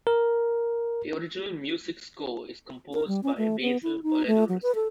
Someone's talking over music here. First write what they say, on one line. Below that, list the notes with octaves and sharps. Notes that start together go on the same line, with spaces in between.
The original music score is composed by Basil Poledouris.
A#4
A#4
G3
C#4
A3
B3
E4
D#4
A3
F#3
B4
A4